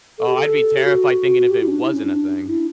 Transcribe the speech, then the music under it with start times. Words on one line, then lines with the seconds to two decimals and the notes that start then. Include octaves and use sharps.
Oh, I'd be terrified thinking if it wasn't a thing.
0.18 A4
0.28 G4
0.37 A4
0.76 G4
0.84 F#4
1.50 G4
1.61 E4
1.68 C#4
1.71 D4
1.83 E4
1.94 C#4
2.05 D4
2.49 E4